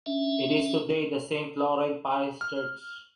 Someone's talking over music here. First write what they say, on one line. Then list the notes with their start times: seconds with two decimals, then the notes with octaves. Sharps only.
It is today the Saint-Laurent Parish Church.
0.06 C#4 D4 E5
2.41 F6